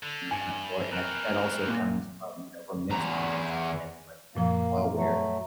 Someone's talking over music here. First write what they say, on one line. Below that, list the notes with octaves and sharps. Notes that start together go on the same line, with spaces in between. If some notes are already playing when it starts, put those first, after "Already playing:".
you know, that sort, and I think that also comes from, you know, romantic interests and friendships as well, where,
D3
G2 G#5
B2 C4 A#4 B4
A#2
E2 A#5
F#2 A#2 F3 A#3
F#3 A3